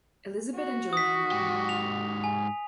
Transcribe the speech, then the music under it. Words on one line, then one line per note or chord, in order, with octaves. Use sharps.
Elisabet and Joana.
F#4
D#6 B6
G#2 G4
F7
G#5